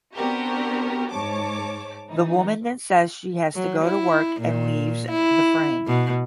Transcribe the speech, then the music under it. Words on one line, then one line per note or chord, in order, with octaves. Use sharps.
The woman then says she has to go to work and leaves the frame.
B3 C4 D4 F#4 G4 A#4
G#2 C#5 A5 D6
E3 D#4
F#3
E4
A#2
E4
B2